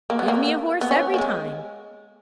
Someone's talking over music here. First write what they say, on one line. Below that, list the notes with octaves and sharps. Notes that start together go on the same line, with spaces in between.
Give me a horse every time.
A#3
B3
A#3
B3
C#4
A#3
G#3